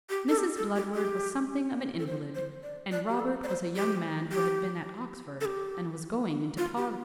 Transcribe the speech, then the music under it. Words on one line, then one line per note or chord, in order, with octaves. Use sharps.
Mrs. Bludward was something of an invalid, and Robert was a young man who had been at Oxford and was going into Parliament.
G4
A4
G4
A4
G4
G4
A4
C5
C5
D5
D5
G4
A4
D5
C5
G4
G4
A4
G4
F4
G4